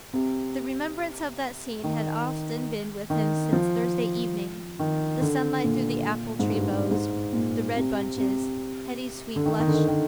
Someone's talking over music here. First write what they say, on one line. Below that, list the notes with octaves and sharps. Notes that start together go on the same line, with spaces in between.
The remembrance of that scene had often been with him since Thursday evening: the sunlight through the apple-tree boughs, the red bunches, Hetty's sweet blush.
C3
D#3
D#3
F3
D#3
D3
A#2
G#2
G2
G#2
A#2
C3
C3
D3
D#3
D#3
D3
D#3
D#3